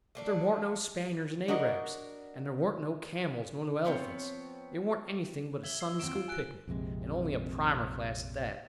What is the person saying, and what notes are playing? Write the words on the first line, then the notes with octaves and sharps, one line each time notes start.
But there warn't no Spaniards and A-rabs, and there warn't no camels nor no elephants. It warn't anything but a Sunday-school picnic, and only a primer-class at that.
A3 A#3 D4
D4 F#4 A#4 D#5
F3 B3 C4 C#5
E5 G#6 F#7 G7
E6 C7
D#2 F#3 C4 D7 E7
F4
G#5 F#6 D7
A#1 F2 C3 G#3